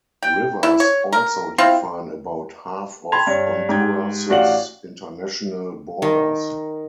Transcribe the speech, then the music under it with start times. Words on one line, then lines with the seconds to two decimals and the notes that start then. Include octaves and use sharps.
Rivers also define about half of Honduras's international borders.
0.23 G5
0.63 E4
0.80 C#5
1.13 A#4
1.58 C4 E4 F4
3.12 G5 A5 B5 C6 G#6 F7
3.27 G2 C#5
3.69 G#2 G4 G5 G#6
4.29 A1 D4 F#4 G4 F5 F#7
6.02 D#3